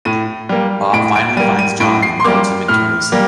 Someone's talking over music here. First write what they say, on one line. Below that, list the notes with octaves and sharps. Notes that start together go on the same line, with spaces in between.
Bob finally finds John and goads him into racing.
A2 D#7
G3 A#3
A2 D7
D7
G3 A#3 D#7
D#7
A2 D7
C7
C6
G3 A#3 D6
A2 F6
G3 A#3